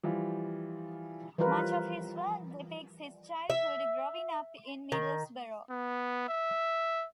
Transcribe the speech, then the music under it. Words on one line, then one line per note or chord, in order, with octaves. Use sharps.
Much of his work depicts his childhood growing up in Middlesbrough.
E3 F3 G3 F4
E3 F3 G3 F4 A#4 B4
E5
D#3
B3
E5